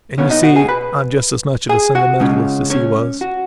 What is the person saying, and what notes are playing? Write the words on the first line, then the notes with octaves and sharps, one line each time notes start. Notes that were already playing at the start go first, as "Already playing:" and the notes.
And, you see, I am just as much of a sentimentalist as he was.. ..
B2 B3 C#4 C#5
D#4 D#5
F#4 F#5
G#4 G#5
B4 B5
G#4 G#5
F#4 F#5
C#3 G#3 C#4
C#4 C#5
F#4